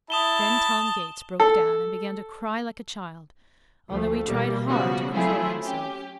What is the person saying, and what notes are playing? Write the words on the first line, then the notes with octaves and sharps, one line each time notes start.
Then Tom Gates broke down and began to cry like a child, although he tried hard to control himself.
E4 A5 D#6 E7 G7
A4
D2 F3 A3
B2 E3 G3 A#3
C#3 F3 G3 B3 F#4
F#3 A3 C4 E4 F4 G#4
C#4 G4